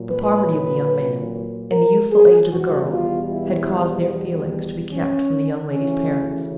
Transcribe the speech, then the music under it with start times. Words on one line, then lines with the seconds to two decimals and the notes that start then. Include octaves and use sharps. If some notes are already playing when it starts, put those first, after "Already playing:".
The poverty of the young man, and the youthful age of the girl, had caused their feelings to be kept from the young lady's parents.
Already playing: A#2 F#3
0.11 B4
1.72 A#4
2.12 G#4
2.52 E2 B2 G3 F#4
2.93 F4
3.32 E4
4.92 C#4
5.72 D2 C#3 E3 C#4